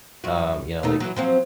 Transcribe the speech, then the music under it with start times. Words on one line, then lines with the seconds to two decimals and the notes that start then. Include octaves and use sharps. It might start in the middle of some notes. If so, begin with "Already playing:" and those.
um, you know, like
0.24 F#2 F#4
0.83 B2 A3 D#4
1.00 E3 F#3
1.16 F3 F#3 C4